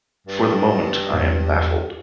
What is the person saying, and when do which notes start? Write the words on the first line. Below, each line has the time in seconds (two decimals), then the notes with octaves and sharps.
For the moment I am baffled.
0.27 G2
1.14 E2